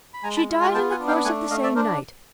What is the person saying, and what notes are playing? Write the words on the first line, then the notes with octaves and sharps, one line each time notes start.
She died in the course of the same night.
B5
G#3 G#5 A#5
A5 B5
F4
G#5 A#5
B3 G5 A5
F#5 G#5
D4
F5 G5
A3 F#5 G#5
A3 D#5 F5
D5 E5
D4 A#4 C5